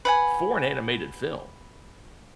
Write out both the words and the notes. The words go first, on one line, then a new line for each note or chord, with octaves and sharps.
for an animated film,
B4 F#5 G#5